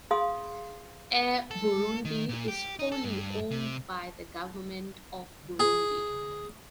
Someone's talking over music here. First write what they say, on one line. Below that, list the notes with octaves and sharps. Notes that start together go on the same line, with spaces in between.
Air Burundi is wholly owned by the government of Burundi.
G#4 F5 C6 D#6
A4
D#3
A#2
G4
D#4
A4
G2
C3
G#4